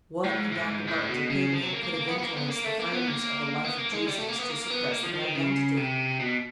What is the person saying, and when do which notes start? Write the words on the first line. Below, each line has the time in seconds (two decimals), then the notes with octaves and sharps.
What, in Dr. Barton's opinion, could have influenced the framers of the life of Jesus to suppress their identity?
0.24 A2
0.38 G#2
0.52 A2
0.67 G#2
0.88 A2
1.08 B2
1.30 C#3
1.52 F3
1.62 F#3
1.73 A#3
1.83 A#3
1.94 A#3
2.08 B3
2.18 B3
2.22 A#3
2.37 B3
2.50 A#3
2.65 A3
2.80 A#3
2.93 B3
3.08 A#3
3.64 B3
3.78 A#3
3.93 G#3
4.07 G3
4.18 A3
4.28 A#3
4.39 B3
4.49 A#3
4.71 B3
4.92 A#3
5.03 F3
5.14 F3
5.24 D#3
5.34 C#3
5.77 C3
6.20 B2